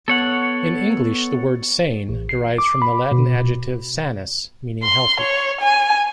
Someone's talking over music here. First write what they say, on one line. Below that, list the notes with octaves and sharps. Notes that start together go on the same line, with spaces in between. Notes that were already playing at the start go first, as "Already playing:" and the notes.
In English, the word "sane" derives from the Latin adjective "sanus" meaning "healthy".
B3 A4 C#5 F#5
A1
C7
D6
B5
B2
C6
C#5
G#5